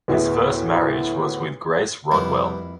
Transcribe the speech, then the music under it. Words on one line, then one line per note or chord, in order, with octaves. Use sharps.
His first marriage was with Grace Rodwell.
D2 A2 B3 G#4 E5
F2 G3 A#3 B3 E4